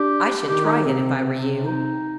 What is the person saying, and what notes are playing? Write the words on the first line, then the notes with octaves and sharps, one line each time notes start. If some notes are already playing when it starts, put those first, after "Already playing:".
I should try it if I were you.
Already playing: D4 G4
D#3 G4
D#4
C3 C4
C3
D#4